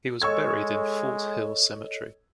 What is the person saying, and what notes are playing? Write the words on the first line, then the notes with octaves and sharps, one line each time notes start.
He was buried in Fort Hill Cemetery.
G#3 A4 C#5 D#5 C#6 E6 G#6